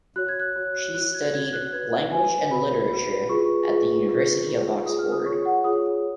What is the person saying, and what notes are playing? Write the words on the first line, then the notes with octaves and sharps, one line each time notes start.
She studied Language and Literature at the University of Oxford.
F#4 C#5 F#6
G#6
F#6
F#4 C#5
F#4 C#5 F#6
G#6
F#4 C#5 G#6
F#6
F#4 B4 G#6
F#4 B4 G#5
F#4 B4 B5
F#4 B4
F4 G#4 B4 C#6
F4 G#4 B4
F4 G#4 B4
F4 G#4 B4
F4 G#4 C#5 D#6
F6
D#6
F4 G#4 C#5 C#6
F#5
F4 G#4 C#5 D#6